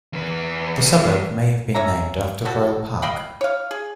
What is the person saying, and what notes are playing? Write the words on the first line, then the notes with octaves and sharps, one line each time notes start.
The suburb may have been named after Royal Park.
E2 B4
C#4 C#5 E5 A#5
F#3 G3 F#4 A4
D#5 F5 G5 B5
C#5 F5
G#4